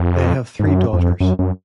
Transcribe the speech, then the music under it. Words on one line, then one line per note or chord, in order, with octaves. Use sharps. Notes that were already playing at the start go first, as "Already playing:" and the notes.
They have three daughters.
Already playing: F2
G#2
F#2
F2
F#2
F#2